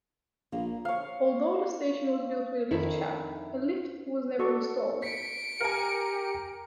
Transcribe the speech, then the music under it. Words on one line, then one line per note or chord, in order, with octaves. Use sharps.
Although the station was built with a lift shaft a lift was never installed.
A#1 A#3
C#5 F5
F2 D3 D#3 E4
F#4 A4 D5 C#6
B6 C#7 D7
G4 A#4 G#5